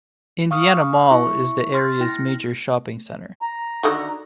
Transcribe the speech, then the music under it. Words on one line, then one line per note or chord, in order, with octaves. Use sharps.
Indiana Mall is the area's major shopping center.
F5 C#6 D#6 F6
E4 E5 C#6
C6 F6 A6
E4 G5 F6 A#6
A#5
D3 D#3 F#4